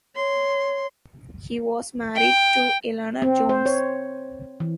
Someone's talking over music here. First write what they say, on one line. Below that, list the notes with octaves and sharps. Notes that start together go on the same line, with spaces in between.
He was married to Eleanor Jones.
C#5 C6
G5
C4
C5
C#5
E3